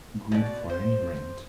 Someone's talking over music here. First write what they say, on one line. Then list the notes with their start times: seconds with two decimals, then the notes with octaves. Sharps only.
Good for any rent.
0.32 B2 D5
0.70 C5